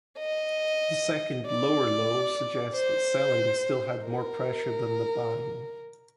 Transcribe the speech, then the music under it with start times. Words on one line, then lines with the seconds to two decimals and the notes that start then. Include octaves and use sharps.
The second lower low suggests that selling still had more pressure than the buying.
0.18 D#5
1.46 D5
2.75 C5
4.04 A#4